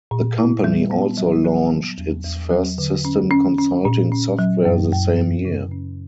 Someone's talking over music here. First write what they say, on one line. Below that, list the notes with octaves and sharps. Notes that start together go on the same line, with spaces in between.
The company also launched its first system consulting software the same year.
A#2
E4
G3
B3
F#3
F#3
B3
E2
E2
F#3
D3
C#4
C#4
C#4
A#2
C#4
F#3
F#2
F#2
F#2
C#3
C#4